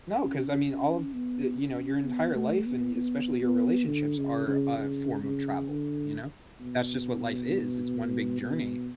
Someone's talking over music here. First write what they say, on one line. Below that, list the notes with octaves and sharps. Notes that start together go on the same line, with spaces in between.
No, 'cause, I mean, all of, eh, you know, your entire life and especially your relationships are a form of travel, you know? That's just what life is; It's one big journey.
C#4
C#4
B3
C#4
B3
A3
B3
B3
B3
D3
C#3
C#3
C#3
C#3
D3
B2
B2